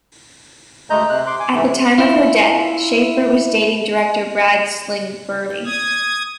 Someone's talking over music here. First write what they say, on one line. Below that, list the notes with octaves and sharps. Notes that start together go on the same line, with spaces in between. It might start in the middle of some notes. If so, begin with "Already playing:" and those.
At the time of her death, Schaeffer was dating director Brad Silberling.
D2 G#3 A3 D#5 A#5 G6
C3 F#6
C6 D6
G#5 D6
G#2 C3 E3 A3
E4 F4
D#6 G#6